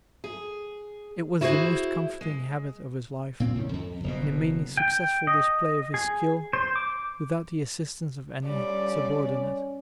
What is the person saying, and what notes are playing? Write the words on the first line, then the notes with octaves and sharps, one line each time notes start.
It was the most comforting habit of his life, in a mainly successful display of his skill without the assistance of any subordinate.
G#4
E4 F#4 G#4 C5
G#3
A#2 C4
C2 A2 D#3 C#4
F2
F#1 B2
G5
D#5
G#4
C5
D6
G3 C#4 D5